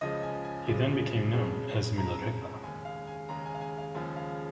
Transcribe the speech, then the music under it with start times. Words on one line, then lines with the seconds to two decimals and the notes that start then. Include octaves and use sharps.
He then became known as Milarepa.
0.01 C#2 C#3 F3 G#3 D#5
0.23 G#5
0.45 G#5
0.67 C#2 C#3 F3 G#3
1.33 F2 C#3 G#3
1.97 F2 C#3 G#3 A#5
2.63 D#2 C#3 G#3 G#5
2.85 F5
3.07 G#5
3.29 D#2 C#3 G#3 A#5
3.46 G#5
3.55 F5
3.61 G#5
3.78 F5
3.95 D#2 C#3 F3 G#3 G#5
4.16 F5